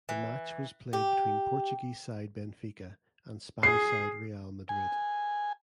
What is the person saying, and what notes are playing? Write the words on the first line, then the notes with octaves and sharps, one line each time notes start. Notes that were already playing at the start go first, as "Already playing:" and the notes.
The match was played between Portuguese side Benfica and Spanish side Real Madrid.
E3
G4
G#4 C7
G#5